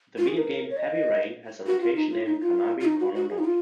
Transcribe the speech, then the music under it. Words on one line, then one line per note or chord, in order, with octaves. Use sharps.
The video game "Heavy Rain" has a location named Carnaby Corner North.
F4
G#4
A#4
C#5
D#5
F#4
F4
D#4
F4
D#4
F4
F4
D#4
F#4
F#4
G#4
D#4
F4